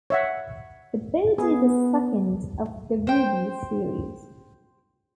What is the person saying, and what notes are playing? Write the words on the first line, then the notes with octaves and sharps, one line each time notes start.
The boat is the second of the "Rubis" series.
C#5 E5 F#5
B3 G#4
C5 G5